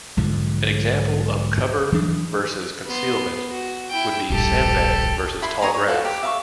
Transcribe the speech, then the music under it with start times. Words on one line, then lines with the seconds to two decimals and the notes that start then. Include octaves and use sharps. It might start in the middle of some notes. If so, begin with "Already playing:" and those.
An example of "cover versus concealment" would be sandbags versus tall grass.
0.17 B1 G#2 D3 F3
1.92 E3 F#3 D4
2.86 B3 C6
3.49 F#4
3.89 E4 G5
4.30 D1 A#1 G2 G4 A4
5.42 E4 B5 C6
5.62 C#5 D#5 A#5 C6
5.74 C#5
5.87 F4 F#4 A4 F#5
6.05 G4
6.23 E5 F5 A#5 C#6